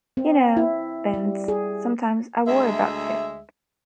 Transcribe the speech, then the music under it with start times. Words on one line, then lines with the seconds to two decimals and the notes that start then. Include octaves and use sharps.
You know, Vince, sometimes I worry about you.
0.17 C4
0.57 E4
1.14 G3
1.48 G#4
2.47 D2 G#3 E5